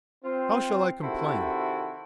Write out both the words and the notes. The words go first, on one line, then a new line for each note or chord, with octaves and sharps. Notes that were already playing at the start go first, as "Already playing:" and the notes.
How shall I complain?
C4 F4 C5
C3 D#3 C4 E4 F#4 A4